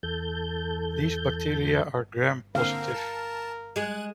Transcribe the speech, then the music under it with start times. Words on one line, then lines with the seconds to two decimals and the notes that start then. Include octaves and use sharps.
These bacteria are Gram-positive.
0.03 E2 A4 G6
2.55 D3 A#3 C4 A#4 F5
2.94 A5
3.76 G#3 G#4 F#6 G#6